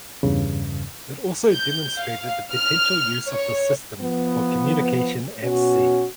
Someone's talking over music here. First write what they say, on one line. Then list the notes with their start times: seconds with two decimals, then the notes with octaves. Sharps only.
It also demonstrated the potential use of the system for communication at sea.
0.23 E2 G2 C#3
1.52 G6
1.99 F5
2.52 F6
3.29 C#5
4.00 F3 B3
5.42 B2 C#4 F#4